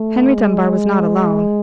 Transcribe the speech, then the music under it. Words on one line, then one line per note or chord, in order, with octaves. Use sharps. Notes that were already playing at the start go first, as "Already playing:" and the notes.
Henry Dunbar was not alone.
Already playing: A3
G#3